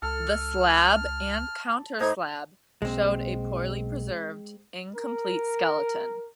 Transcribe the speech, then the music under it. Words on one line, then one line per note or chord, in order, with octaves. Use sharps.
The slab and counterslab showed a poorly preserved, incomplete skeleton.
C#2 A4 F6
A2 D#4 C5 A#5 G#6
B1 G#3 A#3 C4
A#4